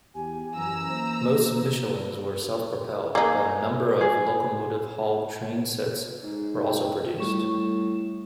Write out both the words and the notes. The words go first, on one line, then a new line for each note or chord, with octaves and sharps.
Most Michelines were self-propelled, but a number of locomotive-hauled trainsets were also produced.
E2 G4 G#5
F#2 E3 A#5 E6
A#3 C5
A#3 D#4 G#4
G#4
G#2
G5
A2 G3 C#6 E7